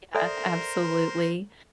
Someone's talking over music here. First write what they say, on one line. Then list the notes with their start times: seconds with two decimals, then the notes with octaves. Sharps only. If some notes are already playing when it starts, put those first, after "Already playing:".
Yeah, absolutely.
0.15 A4 A#4 C5 D5 E5